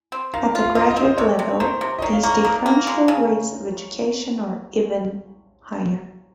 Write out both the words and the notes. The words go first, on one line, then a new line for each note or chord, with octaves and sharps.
At the graduate level, these differential rates of education are even higher.
C4
D#3 F5
F4
F5
F4 D#5
D#5
C4
C5
C3 C#5
C3
D#3 C5
C3
D#5
D#3 C#5
F5
A#3 C#6
A#5
D#3 A#5
A#3
G#3
C#3